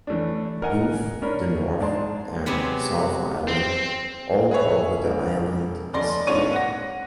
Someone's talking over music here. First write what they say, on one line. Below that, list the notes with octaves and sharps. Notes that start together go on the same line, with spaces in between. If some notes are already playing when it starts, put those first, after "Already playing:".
Both the North and South Island all over the Island as well.
E3 A3 C#4 D4
A#4 D#5 F#5 G#5
C#4 D4 A#4 B5
G#2 D4 D5 A5 C6
C3 F#3 G#3 B3 G4 G#4
C4
G#4 B4 C#5 E5
E1
F1 C#4 D5 C6 A#6
G#2 C4 D4 C#5 C#6 D#7
F#5 A#6